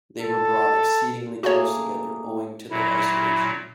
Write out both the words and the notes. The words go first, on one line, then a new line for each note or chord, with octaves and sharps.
They were brought exceedingly close together owing to their isolation.
A4
A3 A#3 F#4 G#4 C#5
A#2 F#3 E4